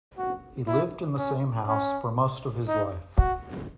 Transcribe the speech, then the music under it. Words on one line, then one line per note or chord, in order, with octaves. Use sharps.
He lived in the same house for most of his life.
F#4
E4
C#4
C#4
D#4
F#4